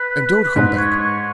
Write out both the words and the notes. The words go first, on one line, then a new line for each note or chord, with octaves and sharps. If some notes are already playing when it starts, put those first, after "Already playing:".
And don't come back.
Already playing: B4
G#2 B4
C#5
C#5